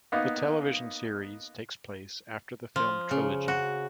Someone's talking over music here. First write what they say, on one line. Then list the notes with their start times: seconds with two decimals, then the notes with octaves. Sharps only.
The television series takes place after the film trilogy.
0.12 A#3 B3 D#4
2.76 F3
3.11 C#3
3.48 F#4